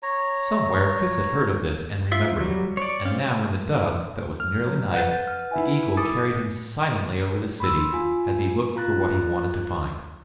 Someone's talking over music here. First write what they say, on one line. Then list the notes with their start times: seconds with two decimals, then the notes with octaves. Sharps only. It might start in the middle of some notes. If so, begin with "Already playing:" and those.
Somewhere, Chris had heard of this and remembered it, and now in the dusk that was nearly night, the eagle carried him silently over the city as he looked for what he wanted to find.
0.03 C#5 A#5
2.12 F4 E5
2.41 F#3 G3
2.77 C#5 D5
3.05 C4 C#4 F5
4.40 F6
4.66 F#3
4.94 B4 F#5 G6 A6
5.27 F6
5.51 D#4 E4 E5 G#5
5.97 A4 D6 D#6 A6
7.60 B5 C6 E6
7.93 F4 G#5
8.76 F4 A#5 F#6 A6